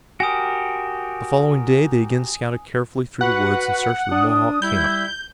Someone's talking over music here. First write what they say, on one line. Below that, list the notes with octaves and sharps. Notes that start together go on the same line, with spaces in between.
The following day they again scouted carefully through the woods in search of the Mohawk camp.
F#4 G4 A#4 G#5 D#6
F#4 B4 F#5
D4 D#6
G3 E4 G6